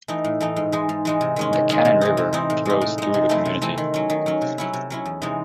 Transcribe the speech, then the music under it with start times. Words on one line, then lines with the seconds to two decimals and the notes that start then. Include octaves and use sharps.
The Cannon River flows through the community.
0.08 E3 A3 D#4
0.24 A2
0.40 E3 A3 D#4
0.56 G#2
0.72 E3 G#3 D#4
0.89 G#2
1.05 E3 G#3 D#4
1.21 C3
1.36 D#3 G#3 C#4
1.53 C3
1.69 D#3 G#3 C#4
1.85 C3
2.01 E3 C4 D#4
2.17 C3
2.33 E3 C4 D#4
2.50 A2
2.65 G#3 D#4
2.81 A2
2.98 G#3 D#4
3.14 C3
3.29 E3 A3 C4 E4
3.45 C3
3.62 E3 A3 C4 E4
3.78 D#3
3.94 F#3 C#4
4.10 D#3
4.26 F#3 C#4
4.42 C3
4.58 F#3 C#4 E4
4.73 C3
4.90 F#3 C#4 E4
5.05 E2
5.22 C3 E3 G#3 D#4